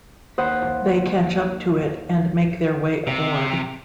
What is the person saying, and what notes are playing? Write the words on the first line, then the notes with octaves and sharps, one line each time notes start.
They catch up to it and make their way aboard.
D#2 C5 F#5 B5 D#6
C3